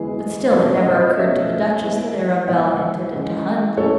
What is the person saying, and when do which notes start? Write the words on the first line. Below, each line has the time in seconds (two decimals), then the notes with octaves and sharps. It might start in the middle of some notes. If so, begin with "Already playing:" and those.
But still it never occurred to the Duchess that Arabella intended to hunt.
Already playing: E3 G#3 B3 G#4
0.52 B2 A3 C#4 A4 C#5
0.74 B4 D#5
0.95 B4 D#5
1.17 B2 A3 C#4 C#5 E5
1.82 E3 G#3 B3
2.47 E3 G#3 B3 D#5 F#5
3.12 E3 G#3 C#4
3.77 E3 G#3 C#4 A4 C#5